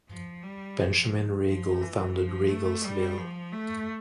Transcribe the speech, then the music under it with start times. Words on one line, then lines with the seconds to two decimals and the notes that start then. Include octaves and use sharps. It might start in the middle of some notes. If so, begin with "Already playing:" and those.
Benjamin Riegel founded Riegelsville.
0.09 F3
0.43 G3
0.77 F3
1.47 F3
1.81 E3
2.16 F3
2.49 A3
2.84 G3
3.17 F3
3.52 A3